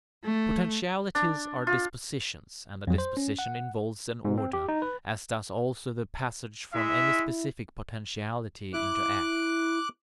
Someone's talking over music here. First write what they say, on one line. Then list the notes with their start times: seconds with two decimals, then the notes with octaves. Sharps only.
Potentialities are dispositions, and a disposition involves an order, as does also the passage from any specific potentiality into act.
0.25 A3
1.15 D4
1.67 F4
2.87 F2 F#3
2.98 C5
3.17 C#4
3.39 F#5
4.25 G#2
4.38 C4
4.53 G4
4.69 D#4
4.82 B4
6.74 G#3 E4 E5
8.73 E4 D6 F#6